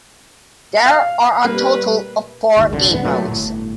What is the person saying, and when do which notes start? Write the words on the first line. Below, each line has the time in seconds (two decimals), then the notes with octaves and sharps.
There are a total of four game modes.
0.86 F5
1.45 G3 A#3 B4
2.57 G1 D#2
2.72 C2 D3
2.92 D1 G#2 B3
3.05 A#2 F#3 G#3 A3
3.28 G1 A2